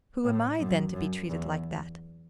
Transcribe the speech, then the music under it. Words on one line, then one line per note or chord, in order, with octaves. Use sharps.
Who am I, then, to be treated like that?
A2
F#2
F#2
E2